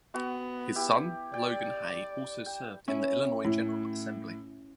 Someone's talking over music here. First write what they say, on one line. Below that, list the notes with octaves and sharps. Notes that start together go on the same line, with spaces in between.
His son Logan Hay also served in the Illinois General Assembly.
B3 F#4
E4 G4
D5 G5
G5
C#4 E4
A2